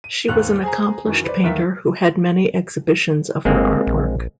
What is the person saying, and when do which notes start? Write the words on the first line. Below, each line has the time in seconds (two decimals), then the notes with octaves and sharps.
She was an accomplished painter who had many exhibitions of her artwork.
0.04 D#7
0.28 D#2 G#2 F#6 F7
0.63 G#4 C5 G#5 A#5
1.05 F#2 D#3 E3 F#3
1.24 B4 C5 D5
1.44 D#2 D#3 E5 A#5 B6
3.45 G1 G#3 A#3 C4
3.87 A#1